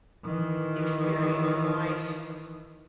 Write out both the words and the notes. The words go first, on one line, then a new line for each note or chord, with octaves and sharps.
experience in life
D#3 E3